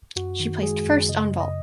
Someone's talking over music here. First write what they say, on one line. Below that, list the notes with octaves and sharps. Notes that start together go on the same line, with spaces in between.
She placed first on vault.
F#2 F#4
D#3
G#3 G#4
F#2
C#3 D#5
F#2
D#5